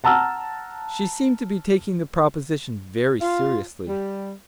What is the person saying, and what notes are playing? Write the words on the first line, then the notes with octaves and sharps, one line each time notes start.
She seemed to be taking the proposition very seriously.
F#5 A5 A#5 E6 F6
F4
G3